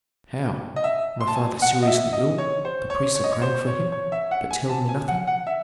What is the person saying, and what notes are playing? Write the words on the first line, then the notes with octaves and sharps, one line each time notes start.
"How! my father seriously ill, the priests are praying for him, but tell me nothing?"
D#5
E5
C6
A5
G#5
F#5
D#5
E5
D#5
C#5
C5
C#5
C#5
D#5
C#5
C5
C#5
C#5
E5
F#5
G#5
A5
G#5
F#5
F#5
E5